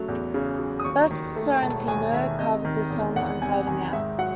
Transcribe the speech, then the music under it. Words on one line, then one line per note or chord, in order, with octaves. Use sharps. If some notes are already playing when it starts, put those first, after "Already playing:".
Beth Sorrentino covered the song on "Hiding Out".
Already playing: C#3 F#3 A3
E2
C#3
F#3
D#6
D#2 C#6
D#3
A3
E1 A5
D#2 G#5
D#3 E5
C3 D#5
D#3
E2
E2 F#5
C3 G#5
D#3 G#5
G#2 E5
F#3 F#5